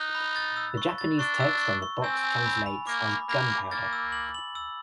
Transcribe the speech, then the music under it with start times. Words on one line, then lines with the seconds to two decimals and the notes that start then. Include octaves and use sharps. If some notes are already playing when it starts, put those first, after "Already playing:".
The Japanese text on the box translates as "gunpowder".
Already playing: D#4 F#6
0.15 B5
0.36 A6
0.57 E6
0.77 C#6
0.98 A6
1.19 D4 C#6
1.41 E6
1.61 C#6
1.82 C#6
2.03 C4 G#5
2.24 G#5
2.46 B5
2.66 B5
2.87 A#3 D6
3.08 B5
3.29 A#3 B5
3.50 D6
3.71 A#3 A6
3.93 E6
4.12 F#7
4.34 F#7
4.55 E6